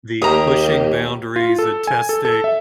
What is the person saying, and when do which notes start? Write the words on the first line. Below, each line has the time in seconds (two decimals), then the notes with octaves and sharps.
the pushing boundaries and testing,
0.22 D#2 A#3 G4 A#5 D#6
1.36 F4
1.59 A4
1.87 G#5
2.09 A4
2.25 A4
2.44 E5